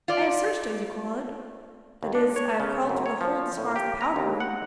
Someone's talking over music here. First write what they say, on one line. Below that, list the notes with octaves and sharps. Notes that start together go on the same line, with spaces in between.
"I have searched, as you call it--that is, I have crawled through the hold as far as the powder-room."
F4 D5
D#2
D4
C#5
C#3
F#2
C#5
F3
A2
G4
A#5
D#2
F#5